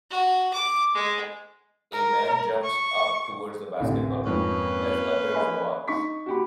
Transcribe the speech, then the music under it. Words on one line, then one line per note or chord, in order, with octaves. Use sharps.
A man jumps up towards the basketball hoop as others watch.
F#4
D6
G#3
A#4
C#6
A1 D2 C3
F2 G#2 A#3 C#4 B4
F#7
D#5 G#5 B5
D#4 C#6 B6
F#4 G4 B5